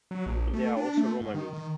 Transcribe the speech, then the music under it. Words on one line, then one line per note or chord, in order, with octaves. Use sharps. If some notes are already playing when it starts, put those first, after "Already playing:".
There are also Romani.
F#3
A#1
A3
D4
A3
G#2
D#3
D#3